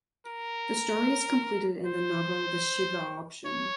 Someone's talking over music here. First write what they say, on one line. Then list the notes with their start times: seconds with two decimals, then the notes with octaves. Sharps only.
The story is completed in the novel "The Shiva Option".
0.26 A#4
1.86 C5
3.45 C#5